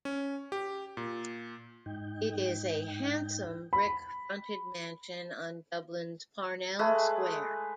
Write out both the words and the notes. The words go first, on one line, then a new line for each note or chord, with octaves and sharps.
It is a handsome brick fronted mansion on Dublin's Parnell Square.
C#4
G4
A#2
G#2 D#4 G5
B5
G#3 A3 G#4 B4